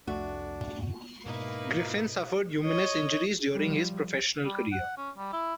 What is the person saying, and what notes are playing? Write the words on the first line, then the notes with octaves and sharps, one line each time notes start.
Griffin suffered numerous injuries during his professional career.
C2 F2 A3 D4 F#4
G#2 B2 A#3 D#4 E4 B4
C#5 D#5
F3 G3
G3
F#5
C#4
G3
E4